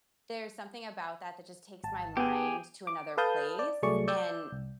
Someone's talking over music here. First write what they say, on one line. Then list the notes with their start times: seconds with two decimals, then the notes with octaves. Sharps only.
there's something about that that just takes my mind to another place and
1.84 G#1 A5
2.17 B3 G4 G#4
2.87 D6
3.17 A4 B4 F5 A5 D#6 G6
3.59 D5
3.82 C2 F#3 A3 G#4 D5 C#6
4.08 D5 E6 G6
4.52 C2